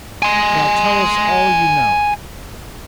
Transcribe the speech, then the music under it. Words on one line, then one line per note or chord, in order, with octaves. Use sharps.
Now tell us all you know.
G#5 C6